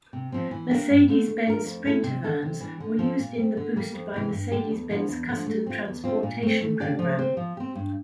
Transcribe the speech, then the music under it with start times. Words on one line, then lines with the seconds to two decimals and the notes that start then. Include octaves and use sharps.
Mercedes-Benz Sprinter vans were used in the Boost by Mercedes-Benz custom transportation program.
0.13 C3
0.32 F3 C4
0.51 E3
0.71 A#3 D4 G4 A#4
0.90 G2
1.09 D3 A3
1.27 A3
1.47 D4 F4 A#4
1.66 F2
1.85 D3 A3 E4 A4
2.03 C3
2.23 G3 D4 A4
2.42 C3
2.61 E3 G3 D4
2.80 D3
2.99 F3 C4
3.19 A#2
3.38 G3 C4
3.57 D3
3.76 G3 A#3
3.94 F2
4.14 C3 E3 G3
4.32 G2
4.52 D3 G3 D4 G4
4.71 E2
4.90 D3 F3 A#3 E4
5.09 E2
5.28 D3 F3 A3
5.46 A3
5.67 C4 F4
5.85 E2
6.04 D3 G3 C4 F4
6.23 A#2
6.43 A3 C4
6.61 A3
6.80 D4 G4 D5 F5
6.99 F3
7.18 C4 G4 C5
7.37 F3
7.57 C4 G4
7.75 G2